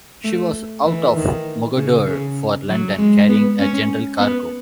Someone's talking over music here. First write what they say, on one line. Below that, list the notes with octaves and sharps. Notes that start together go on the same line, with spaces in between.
She was out of Mogodore for London carrying a general cargo.
A3
E3
D#3
C#3
C#3
F#3
G#3
B3
C#4
B3